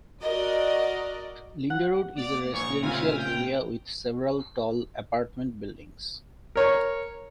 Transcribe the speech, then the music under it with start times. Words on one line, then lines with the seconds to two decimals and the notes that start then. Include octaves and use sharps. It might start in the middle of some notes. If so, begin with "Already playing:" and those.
Linderud is a residential area, with several tall apartment buildings.
0.22 F#4 A#4 D5 D#5
1.70 F#5
2.17 A#3 D5
2.54 A#1 G#4 C#5 C#6
2.82 D2 A#2 C#3 C4 E5 F5 G#5
3.18 G5
6.56 A#4 C#5